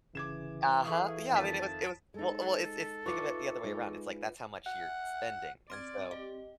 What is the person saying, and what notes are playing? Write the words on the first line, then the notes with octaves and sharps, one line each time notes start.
Uh-huh, yeah, I mean, it was it was, well well, it's it's, think of it the other way around, it's like that's how much you're spending, and so,
G1 C#3 E3 D6 G#6 E7
G#4 A4 E5 F5 C#6 D#6
F2 D#3 A5 B6
G#3 D#4 A4
A3 D#4 F4 B4 C#6 D6 C#7
G#3 D#4
F#5
C4 D5 C6 F6 G#6
G4 D#5